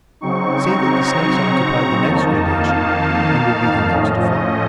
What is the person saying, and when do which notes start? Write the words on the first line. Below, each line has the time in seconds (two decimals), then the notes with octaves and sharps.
Say that the snakes occupied the next gradation, and would be the next to fall.
0.21 C#3 F#3 C4 D#4 C#6
0.67 A#5
2.05 F2 D#3 A#3 D#4 A5
2.51 F5
3.89 A2 F3 A3 C#4 D#5